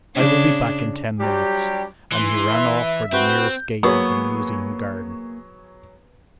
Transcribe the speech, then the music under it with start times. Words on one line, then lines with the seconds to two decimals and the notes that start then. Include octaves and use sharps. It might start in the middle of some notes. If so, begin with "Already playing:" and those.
I will be back in ten minutes.' And he ran off for the nearest gate of the Museum gardens.
0.15 C#3 D4
1.21 F#3 G3 D4 G4
2.12 E3 C6
2.49 E5
3.13 C4 F#4 B4 G6
3.83 F#3 A#3 B3 G#4 C#5 C#6